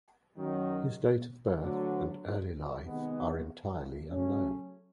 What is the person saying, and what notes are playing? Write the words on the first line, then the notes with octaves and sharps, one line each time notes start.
His date of birth and early life are entirely unknown.
F#2 D#3 F#3
D2 D3 F#3
C3 D#3 G#3 B3
C#3 F#3 A3 C#4